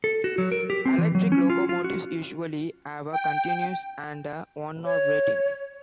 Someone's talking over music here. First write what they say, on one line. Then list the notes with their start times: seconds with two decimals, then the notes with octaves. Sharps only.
Electric locomotives usually have a "continuous" and a "one-hour" rating.
0.04 A4
0.24 F#4
0.38 F#3
0.52 A#4
0.70 G4
0.85 C4
0.98 E3
1.15 F#3
1.32 C#4
1.50 F4
1.69 F4
1.84 F#4
3.13 G5
4.85 C#5